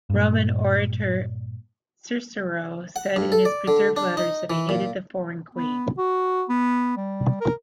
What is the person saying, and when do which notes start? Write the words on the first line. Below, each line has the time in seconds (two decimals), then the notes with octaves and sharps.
Roman orator Cicero said in his preserved letters that he hated the foreign queen.
0.10 G2 A#2
2.96 F#5
3.16 G2
3.32 A4
3.45 D5
3.68 D3
3.97 D4
4.17 D#4
4.50 E3
4.69 A#2
5.55 B3
5.98 F#4
6.49 B3
6.97 G3
7.41 A#4